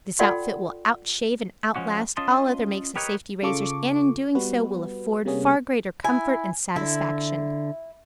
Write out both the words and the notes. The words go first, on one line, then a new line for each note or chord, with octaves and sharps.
This outfit will out-shave and out-last all other makes of safety razors and, in doing so, will afford far greater comfort and satisfaction.
F4 A4 D5 F#5 G5 C6
F3 G#3 C#4 F#4
C#4 F4 D#5 A5 C6
G4 A#4 B4 C#5 D#5 G5
C#3 F4 A4 C#6 D6
G3 B3 F#4 B4
C3 G3 A#3 B3 C#4 G#4
E4 G#5
D3 E4